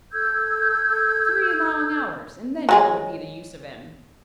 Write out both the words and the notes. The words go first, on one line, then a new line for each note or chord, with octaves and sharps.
Three long hours, and then what would be the use of him?
A4 E6 G6 G#6
F#3 G#3 G#4